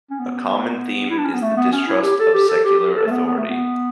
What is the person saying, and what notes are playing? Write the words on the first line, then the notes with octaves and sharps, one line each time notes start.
A common theme is the distrust of secular authority.
C#4
B3
E4
D4
C#4
B3
A3
B3
C#4
E4
G4
A4
G4
A4
G4
G4
A4
A3
B3
B3
A3
B3